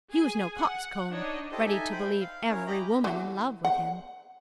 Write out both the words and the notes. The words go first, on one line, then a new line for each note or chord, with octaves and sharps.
He was no coxcomb, ready to believe every woman in love with him.
G#4 G#5
F#5
D4 D#4 C#5 D#5
E4 G4 A4 C5 D#5
D#4 A4 E5 G#5
C5 G5 B5
F5
C#4 E4 A#4 C#5
G4 D#5 A#5 B5
E3 F#4
F#5